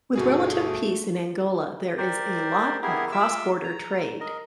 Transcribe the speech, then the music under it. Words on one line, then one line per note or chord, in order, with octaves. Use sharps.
With relative peace in Angola there is a lot of cross border trade.
G1 B2 A3 F#4 G#4
G4 A#4 C5 D5
B3 E4 G4 G#4 A#4
F4 E5 D6 E6
A#5
A#4 D#5